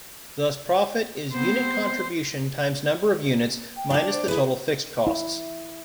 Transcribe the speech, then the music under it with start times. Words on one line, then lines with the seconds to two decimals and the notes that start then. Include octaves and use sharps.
Thus Profit is Unit Contribution times Number of Units, minus the Total Fixed Costs.
1.34 B3 C4 C5
3.76 G5
3.90 D4 D5
4.12 C5
4.28 E4 G#4 B4
5.07 E4